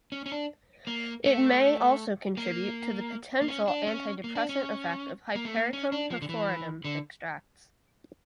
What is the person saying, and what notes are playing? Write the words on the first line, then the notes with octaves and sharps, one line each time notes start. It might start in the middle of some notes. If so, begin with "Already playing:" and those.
It may also contribute to the potential antidepressant effect of "Hypericum perforatum" extracts.
C#4
C#4
D4
A#3
A3
A#3
A#3
C#4
D4
C#4
A#3
D4
C#4
A#3
A3
A#3
C#4
D4
F3
D3
E3
D3